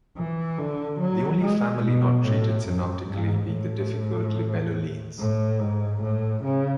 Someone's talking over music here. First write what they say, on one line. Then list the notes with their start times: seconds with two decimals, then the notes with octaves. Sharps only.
The only family not treated synoptically being the difficult "Libellulines".
0.17 E3
0.58 D3
1.00 F#3
1.42 G#3
1.84 B2
2.26 A2
2.68 F#2
3.09 G#2
3.51 A2
5.19 A2
5.60 G#2
6.03 A2
6.44 C#3